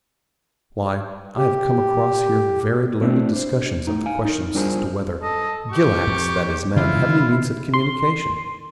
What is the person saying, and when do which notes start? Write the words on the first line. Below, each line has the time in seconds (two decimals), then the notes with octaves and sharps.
Why, I have come across here very learned discussions of the question as to whether gilaks, that is men, have any means of communication.
1.38 G4
3.01 A3 C4 D4 E4
3.33 D4 C5
3.87 A2 D#4
4.06 F5 G#5
4.25 D#4 A#4
4.55 G3 D4 F4 G#4 A#4 C5
5.23 A4 D#5
5.73 G4 C#6
6.07 F2
6.76 C#3 E3 G#3 E4 F4
7.74 C6